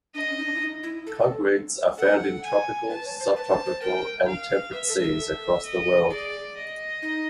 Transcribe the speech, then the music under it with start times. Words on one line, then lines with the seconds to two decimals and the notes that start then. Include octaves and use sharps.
Congrids are found in tropical, subtropical and temperate seas across the world.
0.14 D4 D#5
0.30 C#4
0.38 D#4
0.45 D4
0.55 E4
0.60 D#4
0.83 E4
1.07 A4
1.98 A4 F#5
2.44 G#5
2.89 B4 A5
3.05 C#5
3.20 C5
3.36 B4 A5
3.50 C5
3.66 C5
3.81 A#4 G5
4.27 F5
4.73 B4 E5
4.89 A4
5.04 A#4
5.19 A4
5.65 D#5
6.10 G#4 D5
6.56 D#5
7.02 D#4